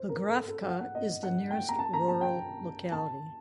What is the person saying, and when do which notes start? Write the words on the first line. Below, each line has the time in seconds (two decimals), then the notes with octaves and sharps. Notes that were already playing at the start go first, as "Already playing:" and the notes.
Pokrovka is the nearest rural locality.
Already playing: C5
0.09 A#4
0.28 A4
0.48 A4
0.67 F#5
0.81 F#5
0.95 D#5
1.23 F#5
1.51 G5
1.69 A#5
1.79 A5
1.93 A#5
2.08 A5
2.21 G5
2.92 A5